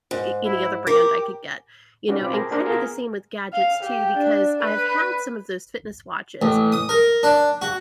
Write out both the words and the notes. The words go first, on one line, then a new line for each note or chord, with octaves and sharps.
a any other brand I could get, you know, and kinda the same with gadgets, too, because I have had some of those fitness watches
G#2
E4
G4 A#4 D6
G3 C#4 D#4 F#4 B4 D5
B2 C4 F4 B5 D6
G#4 A#4 C5 A5 A#5
A#3 D4 G4 G#4 A#4 C5
B3 F4 G#4 A#4
F5
G4
D4
B4
A1
D#6
A#4
D4
F#4